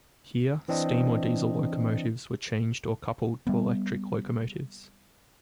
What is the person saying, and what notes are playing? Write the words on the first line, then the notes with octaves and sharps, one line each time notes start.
Here, steam or diesel locomotives were changed or coupled to electric locomotives.
E3 C4 D4 D#5
G3 B3